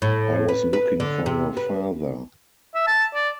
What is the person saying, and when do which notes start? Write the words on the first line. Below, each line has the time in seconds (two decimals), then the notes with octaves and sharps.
I was looking for your father.
0.02 A2
0.48 B4
0.73 B4
1.00 D3
1.26 C3
1.57 B4
2.75 E5
2.87 A5
3.15 D5